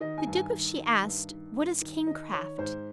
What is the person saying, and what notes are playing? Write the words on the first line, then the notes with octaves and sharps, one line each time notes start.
The Duke of She asked, What is kingcraft?
D#3 D#5
G#5
G2
G#5
D#3
D#3
G2
D#3
G2
D#3
D#3 D#5
D#3 C#5
G#2 C5